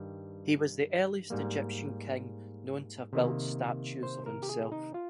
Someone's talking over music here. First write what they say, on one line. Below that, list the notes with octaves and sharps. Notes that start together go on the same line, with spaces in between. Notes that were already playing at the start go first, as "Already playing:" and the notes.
He was the earliest Egyptian king known to have built statues of himself.
Already playing: G2 D#3 G3
G#2 G3 A#3
C3 D#3 A#3
C5
A#4
G4
G#4
D#4
F4